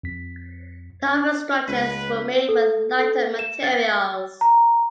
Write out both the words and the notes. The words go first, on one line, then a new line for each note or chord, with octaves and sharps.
The upper structures were made with lighter materials.
F2 B6
C#2 B4
A4
A4
E7
A6
A#5